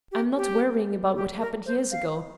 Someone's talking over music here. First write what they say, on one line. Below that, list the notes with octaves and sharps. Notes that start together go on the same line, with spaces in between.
I'm not worrying about what happened years ago.
G4
G4
G4
A#4
C5
F5